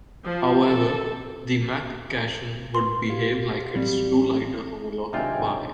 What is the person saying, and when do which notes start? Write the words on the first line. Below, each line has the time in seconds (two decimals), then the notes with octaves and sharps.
However, the Mc cation would behave like its true lighter homolog Bi.
0.25 F3
0.64 A4
2.75 B4 C6
3.10 F#4 G4 F5
3.75 A1 F#3 G3 C4
5.13 G#1 C3 F#3 D4 D#4 F4 G5 G#5